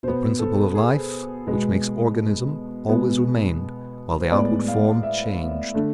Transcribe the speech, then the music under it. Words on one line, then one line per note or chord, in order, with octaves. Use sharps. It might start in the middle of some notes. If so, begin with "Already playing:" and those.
The principle of life, which makes organism, always remained, while the outward form changed.
B2 B3 C5
A4
G#4
B2 G#3 B3
B2 G#3 B3
C5
A2 G#3 B3 D5
F5
E5
D3 A3